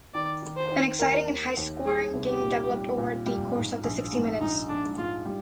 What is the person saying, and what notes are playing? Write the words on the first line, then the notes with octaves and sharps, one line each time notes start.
An exciting and high-scoring game developed over the course of the sixty minutes.
D#3 D5
D#3
C5
D#3
D#2 A#4
D#2
D#2
G3 G#4
C2
G4
A#2
G3
A#2
G3
G#2
A#1
G#2
A#1 D#4
A#1 D4
G#2 F4
G3